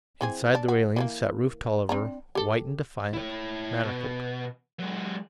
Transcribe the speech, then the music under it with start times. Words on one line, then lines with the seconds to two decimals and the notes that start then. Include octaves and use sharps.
Inside the railing sat Rufe Tolliver, white and defiant--manacled.
0.21 E3 C4 G#4
0.55 D4
0.68 F#4
0.96 E3 G3 A#3
1.89 C4 D4 A#5
2.35 G4 A4
3.13 E4 C#5
3.83 B2
4.79 F#3 G#3